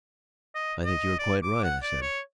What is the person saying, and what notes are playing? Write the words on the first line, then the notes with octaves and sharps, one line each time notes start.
"I think you are quite right," I said.
D#5
D#5
D5
D6
F#5
D5
C#5